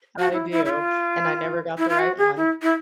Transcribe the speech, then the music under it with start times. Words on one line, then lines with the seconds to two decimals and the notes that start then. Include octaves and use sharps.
I do, and I never got the right one.
0.19 F#4
0.33 E4
0.51 E4
0.65 E4
0.69 F4
1.78 E4
1.89 F4
1.99 F#4
2.18 G#4
2.37 E4
2.62 E4